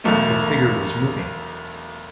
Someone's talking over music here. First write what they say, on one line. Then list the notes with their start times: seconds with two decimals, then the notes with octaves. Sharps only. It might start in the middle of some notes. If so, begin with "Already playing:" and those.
The figure was moving.
0.04 E1 B1 A3